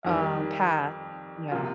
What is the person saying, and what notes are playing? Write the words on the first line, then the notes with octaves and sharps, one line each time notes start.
uh, path. Yeah.
F2 D#3 G3
C3 F3 A#3 F4